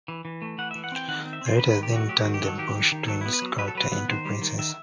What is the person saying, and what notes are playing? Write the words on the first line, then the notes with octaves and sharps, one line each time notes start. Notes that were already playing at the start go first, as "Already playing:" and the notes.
The writers then turned the Bush twins character into Princess.
E3
E3
A3
E3 F#5
E3 E5
F#5
C4 G5
D#3 F#5
C4
E5
C4 C5
D#3 B4
D#3 B4
G4
A3 F#4
F#3 G4
D#3 F#4
G4
F#3 A4
D#3 G4
D#3
D#3
F#3 A4
B3 E4
B4
F#3
F#3 B4
A4
F#3 B4
B3
D#3 C5
G3
D#3
D#3 E5